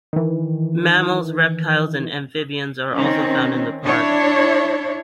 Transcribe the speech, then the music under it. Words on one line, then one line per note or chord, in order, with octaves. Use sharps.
Mammals, reptiles and amphibians are also found in the park.
D#3 E3
D#3 C4 C#4
D4 E4 C#5